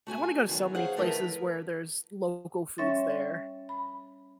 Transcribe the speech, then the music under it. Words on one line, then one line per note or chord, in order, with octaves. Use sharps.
I wanna go so many places where there's local foods there.
A3 F#4 G#5
E2 D#3 F#3
G#4 C5 C#5 F5 F#5
D#3 F3 A3 E4 A#4 B4
G3 C#4 C#5 E5 C6 A6
B5